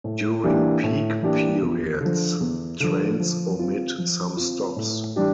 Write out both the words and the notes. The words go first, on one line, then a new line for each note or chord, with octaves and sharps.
During peak periods, trains omit some stops.
A2
E3 A#3 D4 G4
A2
E3 A#3 D4 G4
E2
D3 F3
E2
D3 F3
F3
C4 F4
F3
C4 F4
A2
E3 G3 D4 G4